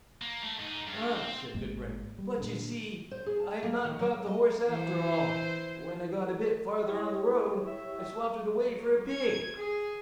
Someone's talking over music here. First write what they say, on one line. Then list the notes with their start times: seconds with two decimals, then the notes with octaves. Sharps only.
'Ah!' said Gudbrand, 'but you see I've not got the horse after all; for when I got a bit farther on the road, I swopped it away for a pig.'
0.22 A#3
0.43 A3
0.60 G#2 D#4
0.87 G2
1.16 C4 C5
1.54 G#1 G#2 G#3 A#3
2.18 G3
2.38 A#2 D3
3.11 C5
3.26 G#4
3.40 A5
3.63 A#3
3.85 D#3
4.00 F#3
4.27 D#5
4.68 E3 C5
6.85 E4 G4 C#5
7.67 E5
8.56 F#3
9.08 G#6
9.56 G#4